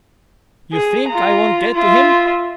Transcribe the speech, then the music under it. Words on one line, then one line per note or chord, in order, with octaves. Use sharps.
You think I won't get to him?
G#4
F4 A#5
F4 E5